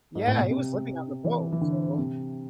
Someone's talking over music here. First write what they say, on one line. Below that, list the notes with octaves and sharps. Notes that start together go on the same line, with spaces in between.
Yeah, he was living on the boat, so.
G#2
A2
B2
C3
E3
E3
D3
C3